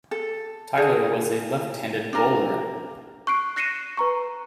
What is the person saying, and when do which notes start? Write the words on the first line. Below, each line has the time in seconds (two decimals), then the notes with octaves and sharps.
Tyler was a left-handed bowler.
0.11 A4
0.77 G#4
2.13 D4 A#4
3.27 C#6 F#6 C7 D7
3.56 F#6 A#6 C7 C#7 D#7 E7
3.97 B4 A#5 C#6